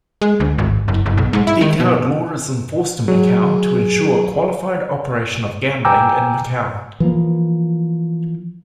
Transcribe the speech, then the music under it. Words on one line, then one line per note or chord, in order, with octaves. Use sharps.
Detailed law is enforced in Macau to ensure "qualified operation of gambling" in Macau.
G#3
D2
G#1
F#1
F#1
B1
G#2
E4
D#3
B2
F#3 G#4
G5 G#5 A#5 D6 E6
E3 F3 A#3